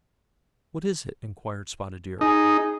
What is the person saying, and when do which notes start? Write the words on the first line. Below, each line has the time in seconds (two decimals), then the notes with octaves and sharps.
"What is it?" inquired Spotted Deer.
2.21 D#4 G#4